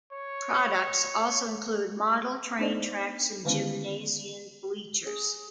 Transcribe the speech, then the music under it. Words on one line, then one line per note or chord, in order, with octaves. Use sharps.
Products also include model train tracks and gymnasium bleachers.
C#5
B3 D4 D#4 C5 D5 D#5
D3 D#3 G#3 B3 C#4 E4
G#4